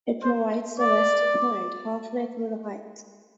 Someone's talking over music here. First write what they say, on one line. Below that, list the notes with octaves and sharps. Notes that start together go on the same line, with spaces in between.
It provides a resting point halfway through the hike.
C5
D5